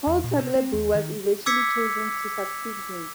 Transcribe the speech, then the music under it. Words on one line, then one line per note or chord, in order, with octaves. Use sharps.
Paul Tagliabue was eventually chosen to succeed him.
E2
A#2
C3
C4
D#2
D#3
D6 E6 G#6 B6 C#7